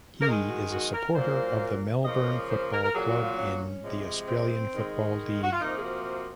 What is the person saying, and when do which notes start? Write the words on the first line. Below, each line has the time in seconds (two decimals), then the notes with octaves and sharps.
He is a supporter of the Melbourne Football Club in the Australian Football League.
0.21 A#4
0.26 D#3 G#3 G#4
0.49 F#4
0.71 F#4
0.94 A#4
1.15 A#2 F#3 A#3 C5
2.04 C#3 F3 A#3 D#5
2.50 C5
2.72 A#4
2.83 A#4
2.94 A#2 F#3 A#3 G#4
3.08 F#4
3.23 F4
3.38 C#4
3.83 C3 F3 G#3
4.28 C4
4.72 D#3 G#3
5.43 F#4
5.52 F4
5.61 C3 F3 A#3 D#4
5.77 G#4
5.84 F#4